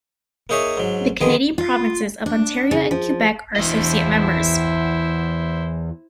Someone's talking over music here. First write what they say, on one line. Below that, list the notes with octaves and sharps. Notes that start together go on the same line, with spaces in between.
The Canadian provinces of Ontario and Quebec are associate members.
A#3 D#4 G#4 C#5 E5
G#2 F#3
B2 D3 D#3 F3 G#4
F4
D4
C#3
F3
E2 E4 C5 D#5